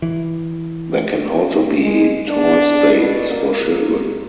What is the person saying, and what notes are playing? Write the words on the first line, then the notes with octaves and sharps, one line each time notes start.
There can also be toy spades for children.
E3
G#3
D4
B2
A#3